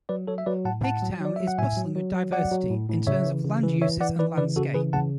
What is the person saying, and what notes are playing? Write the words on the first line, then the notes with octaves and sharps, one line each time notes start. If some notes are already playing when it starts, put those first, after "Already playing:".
Pigtown is bustling with diversity, in terms of land uses and landscape.
F#3 B4 D5
F#3 A4 C#5
E5
F#3 B4 D5
A2 F#5 A5
A2 F#5 A5
F#3
F#3 D5
F#3 E5
F#5
A2 E5 G#5
F#3
F#3
F#3
F#3 D5 F#5
F#3
A2
A2
C#3 C#5 E5
E3
C#3
E3
E3 C#5 E5
E3 D5 F#5
E3 B4 D5
C#3 B4 D5
C#3 F#4 A4
E3 G#4 B4
C#3 F#5 A5